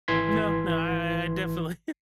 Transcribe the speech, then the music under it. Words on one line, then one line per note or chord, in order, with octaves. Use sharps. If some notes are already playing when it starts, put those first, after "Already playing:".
No. No, I I I definitely,
G#1 E3 C6 G#6 B6